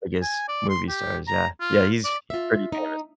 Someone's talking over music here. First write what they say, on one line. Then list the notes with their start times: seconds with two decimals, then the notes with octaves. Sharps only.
I guess, movie stars, yeah. Yeah, he's he's pretty famous.
0.22 G#5
0.48 D5
0.69 C6
0.89 G4
1.28 A#5
1.60 F4
2.04 D5
2.30 F4 E5
2.72 D#4